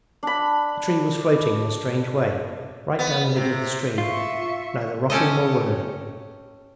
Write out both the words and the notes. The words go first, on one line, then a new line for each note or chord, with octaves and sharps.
The tree was floating in a strange way right down the middle of the stream, neither rocking nor whirling.
D4 B5
B3
C3
F4 E5 C#6
C#4 G4 A4 D#5